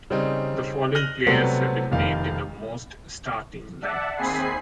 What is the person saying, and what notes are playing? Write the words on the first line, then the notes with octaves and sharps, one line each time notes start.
The following players have been named in the most starting line-ups.
C#3 G3 C4 D#4
F6 F#6 A#6 D#7 F#7 G7
C3 F#3 G3 A3 B3 C4
F1 D#3 F5
D5 E5 F#5 A5
D#2 C4 G#4 G#5 B5 C7